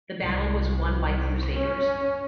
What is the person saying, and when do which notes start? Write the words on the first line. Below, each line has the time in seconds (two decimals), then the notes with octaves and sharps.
The battle was won by Crusaders.
0.23 C2
1.57 C#4